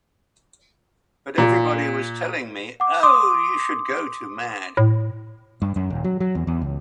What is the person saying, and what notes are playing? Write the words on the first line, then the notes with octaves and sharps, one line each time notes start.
But everybody was telling me, 'Oh, you should go to "Mad".
A#2
F#5 D6
C6 D6 D#6
A2
G2
F#2
D#1
F#3
F#3
E2
E2
C#2